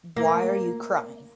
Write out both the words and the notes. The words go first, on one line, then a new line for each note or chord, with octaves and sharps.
Why are you crying?
A#3